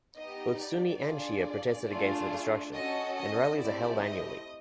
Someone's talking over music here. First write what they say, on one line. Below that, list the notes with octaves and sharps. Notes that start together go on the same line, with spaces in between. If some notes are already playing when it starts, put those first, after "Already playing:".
Both Sunni and Shia protested against the destruction and rallies are held annually.
B3 D#4 G4 D#5
D5
D4 F4 G#4
A3 D4 F4 G#4
C#4 F#4 A4 D#5
D#5
A3 C4 E4 G4 D5
D#5